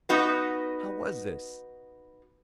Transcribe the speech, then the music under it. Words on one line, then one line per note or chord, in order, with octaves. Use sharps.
How was this?
B3 D#4 F#4 B4